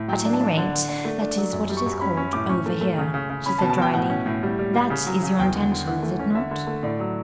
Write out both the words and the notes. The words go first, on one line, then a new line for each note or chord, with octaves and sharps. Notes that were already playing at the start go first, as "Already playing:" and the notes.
"At any rate, that is what it is called over here," she said drily. "That is your intention, is it not?"
Already playing: A2
F#3 G5
D4
A5
D4
D3
D3
D4
A3
D4
F#3
F#2
G3
C#6
F#2
C#4 B5
C#4 C#6
A2 D6
C#4 C#6
A3
A3
C#3
C#3
C#3
C#4 B5
A5
B2
A5
B2 G5
A2 F#5
C#4
A2
G3
G3
G3
C#3
F#3
C#3
E2 G5
D3
D3
E3 F#5
A3
C#4
D3 E5
D3
A3
A2 D5
F#3